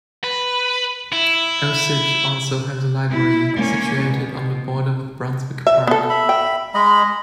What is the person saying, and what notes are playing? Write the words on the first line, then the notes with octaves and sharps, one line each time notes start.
Osidge also has a library, situated on the border with Brunswick Park.
B4
E4
E4
A#3 C#4
B2
E5
B3 A4
E5 B5
G5
G#3 D#5 B5